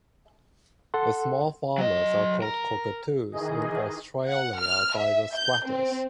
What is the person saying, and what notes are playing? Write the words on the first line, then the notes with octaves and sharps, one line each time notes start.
The small farmers are called cockatoos in Australia by the squatters.
A4 F#5 C6
F#3 D#5
A#4
D#3 E3 G#4 D#5
F#5
F6
E5
G6
C4